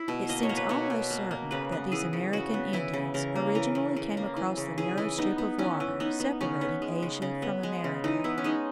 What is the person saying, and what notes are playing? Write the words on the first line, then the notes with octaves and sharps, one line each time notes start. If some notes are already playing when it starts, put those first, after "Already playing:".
It seems almost certain that these American Indians originally came across the narrow strip of water separating Asia from America.
Already playing: E4
B2
A#3 D#5
C#5
A#3
B4
B2 C#5
B2
A#3
A#3
C#3 B4
B3
E3 G#4
C#3
C#3 F#4
B3
E3 E4
C#3
C#3 A#4
A#3
E3 A#4
C#3
C#3
A#3
E3
C#3
E3 G#4
E3
B3 D#4
B3
E3 C#4
E3
B3 D#4
B3
C#3 C#4
B3
G#3
C#3
C#3
B3
G#3
C#3
E3 D#4
B3 E4
C#4
G#3 D#4